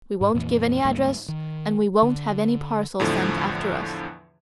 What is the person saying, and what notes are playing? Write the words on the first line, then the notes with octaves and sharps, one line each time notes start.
We won't give any address, and we won't have any parcels sent after us.
G#2
F2 A#2 E3 A#3
D2 G#2 G3 A#3
D#3
D3
E2 A2 D3 F3